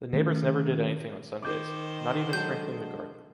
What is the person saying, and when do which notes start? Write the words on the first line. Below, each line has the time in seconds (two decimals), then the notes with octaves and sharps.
The neighbors never did anything on Sundays, not even sprinkling the garden.
0.13 D#3 A3 C#4
1.42 D#3 C5 D6 G6
2.33 F#3 G#3 D4 F#4 A4 G6